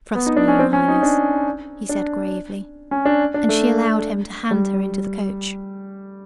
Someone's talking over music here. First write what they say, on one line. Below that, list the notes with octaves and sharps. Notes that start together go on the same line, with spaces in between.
"Trust me, your highness," he said, gravely, and she allowed him to hand her into the coach.
B3
D#4
D4
C#4
C4
C#4
D#4
D4
D4
C#4
D4
D4
A3
G3